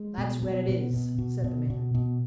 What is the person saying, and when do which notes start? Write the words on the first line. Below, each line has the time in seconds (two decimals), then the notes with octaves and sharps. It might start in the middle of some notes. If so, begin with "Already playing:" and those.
"That's where it is," said the man.
Already playing: G#3
0.18 B2
0.43 B2
0.68 B2 B3
0.94 B2
1.18 B2
1.44 B2
1.70 B2
1.94 B2